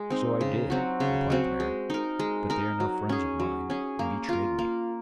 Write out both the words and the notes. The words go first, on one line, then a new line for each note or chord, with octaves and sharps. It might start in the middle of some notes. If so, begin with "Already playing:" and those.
'So I did,' replied the mare, 'but they are no friends of mine and betrayed me.'
Already playing: G#3
C4 D#4
C#3
F#3 C4 F#4
C#3
F#3 C4 F#4
G#3
D#4 A#4
G#3
D#4 A#4
F#3
C#4 G#4
F#3
C#4 G#4
A#3
F4 A#4
A#3